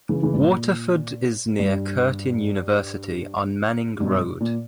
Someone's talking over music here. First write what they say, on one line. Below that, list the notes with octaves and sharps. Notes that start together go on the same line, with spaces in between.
Waterford is near Curtin University on Manning Road.
C#3 E3
C#3 E3
G2
A#2
G2
G2 B2
A#2